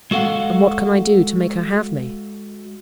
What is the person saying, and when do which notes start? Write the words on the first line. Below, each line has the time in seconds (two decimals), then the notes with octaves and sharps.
And what can I do to make her have me?
0.11 G#3 F#4 A4 F5 F#5